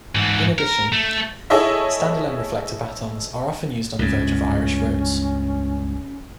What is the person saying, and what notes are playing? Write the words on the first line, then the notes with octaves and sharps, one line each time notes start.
In addition, standalone reflector batons are often used on the verge of Irish roads.
G#2 E3
A#4
A3
E4 G#4 A4 C#5 D#5 E5
C#2 G2 C#4